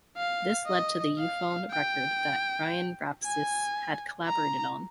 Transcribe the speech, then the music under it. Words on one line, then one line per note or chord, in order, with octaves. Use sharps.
This led to The Euphone record that Ryan Rapsys had collaborated on.
F5
D#5
F5
G5
G#5
A#5